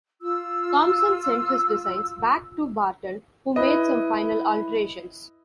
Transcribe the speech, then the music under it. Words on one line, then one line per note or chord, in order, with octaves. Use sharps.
Thomson sent his designs back to Barton, who made some final alterations.
F4 E6
E4 B4 D#5